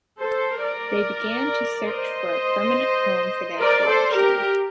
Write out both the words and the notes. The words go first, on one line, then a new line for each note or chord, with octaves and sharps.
They began to search for a permanent home for their collection.
A4 C5
A#4 D5
C5 D#5
A#4 D5
A4 C5
G4 A#4